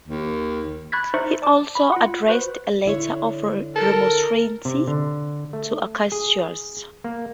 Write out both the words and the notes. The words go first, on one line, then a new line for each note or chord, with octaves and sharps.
He also addressed a letter of remonstrance to Acacius.
D#2
B5 C#6 F#6 G#6 A6 B6
D#4 C5 E5 C#6 A6 C#7
D5 A5 D6
B5
F4 F#5
F#4 B4 C5
D3 E4 C#5
A4 A#4
C3
D3
A3
G#4
A#3